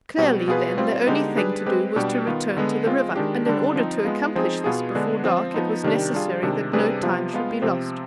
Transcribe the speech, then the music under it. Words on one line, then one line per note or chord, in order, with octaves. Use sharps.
Clearly, then, the only thing to do was to return to the river; and in order to accomplish this before dark it was necessary that no time should be lost.
B2 G3 C4
B2 B3 F4 G#4 B4
G3 C4 F4
D3 G#3 B3 D#4 G4
G3 D4 G#4 B4
G#3 C4 G4 B4
B2 G3 D4 G4
D#3 B3 F4
D3 G#3 B3
G#3 C4 F4
D#3 G#3 D4 G4
D3 G3 D4
F3 C4 D#4
G#3 B3 F4
F3 C4 D#4 G#4
B2 B3 F4 G#4
D3 G#3 B3 D4 G#4
F3 C4 F4
F3 B3 D#4
C3 D#3 G3 D4 G4
G3 D4 F4 G#4
C3 D#3 G#3 D4
C3 G3 D4 G#4 B4
C3 F3 B3 F4
G#3 B3 F4
C3 F3 C4